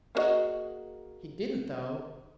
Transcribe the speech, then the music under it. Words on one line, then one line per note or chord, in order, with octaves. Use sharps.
"He didn't, though!"
A#3 D4 F#4 G#4 D#5